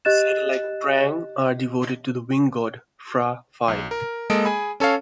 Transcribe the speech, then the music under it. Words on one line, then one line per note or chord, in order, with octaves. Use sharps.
The satellite "prang" are devoted to the wind god, Phra Phai.
G4 D#5 F#6 A6 E7
B1
A#4
G#3 A#3 A4 D#5 D7
G#4 G#5 B5
C#4 A4 C#5 F5